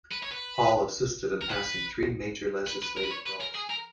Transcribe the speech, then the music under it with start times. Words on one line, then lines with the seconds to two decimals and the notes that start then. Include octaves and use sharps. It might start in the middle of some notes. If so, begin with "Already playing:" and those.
Hall assisted in passing three major legislative bills.
0.12 B4
0.23 C#5
0.32 B4
1.41 A#4
1.49 B4
2.67 B4
2.82 B4
2.97 A#4
3.04 B4
3.11 C#5
3.26 B4
3.41 A#4
3.55 G#4
3.70 A#4